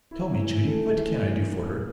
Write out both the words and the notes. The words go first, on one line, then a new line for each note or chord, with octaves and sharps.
"Tell me, Judy, what CAN I do for her?"
E4
E3
A3
E3
E3
A#3